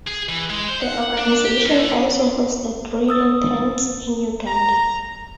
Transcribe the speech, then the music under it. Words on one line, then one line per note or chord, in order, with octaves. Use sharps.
The organization also hosted reading tents in Uganda.
G#4
E3
G#3
C5
F#5
D4
G4
F#2
D3
D#6 E6 A6
A#5